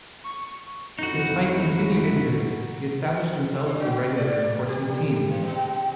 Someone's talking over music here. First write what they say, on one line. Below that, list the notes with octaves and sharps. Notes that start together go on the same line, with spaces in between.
Despite continued injuries, he established himself as a regular in the Portsmouth team.
C#6
F2 D#4 E4 F#4
D4
F#4
D5
G4
E3
B2